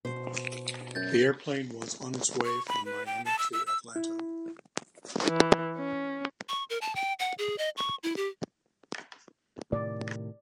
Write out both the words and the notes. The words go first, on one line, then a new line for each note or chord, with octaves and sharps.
The airplane was on its way from Miami to Atlanta.
B2 C5
F#2 G6 A6
C#6
B5
B4
G5
A5
E6
E6
E6
E4
E3
C#4
C#6
A#4
A5
G5
F#5
G#4
D#5
C#6
E4
G4
A2 C3 D#3 D5